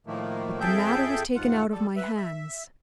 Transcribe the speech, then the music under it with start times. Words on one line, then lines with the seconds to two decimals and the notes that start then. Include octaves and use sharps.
But the matter was taken out of my hands.
0.07 A2 D#3 F3 A3 A#3
0.60 F2 G#4 A4 E5 G5 G6
1.35 D#2 G#2 F4 F#5
1.71 G3 A4
1.96 B4 E5
2.17 E5